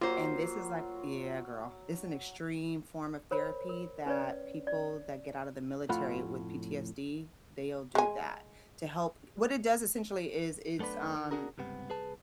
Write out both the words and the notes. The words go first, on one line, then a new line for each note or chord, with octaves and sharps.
And this is, like yeah, girl, it's an extreme form of therapy that people that get out of the military with PTSD, they'll do that, to help what it does, essentially is it's, um,
F#3 A#3 F4 C5
A#4 C5 C#5 B5
A#4
C#4 B4 C#5 D5
D5
F2 A2 F4 F#5 B5
G#3 G#5
F#2 A3 B3 D4 B4
D#3
C#4 D4 F#4 G#4 A#4
C#2 G2 C3 B3
C2 G#4 B4 A5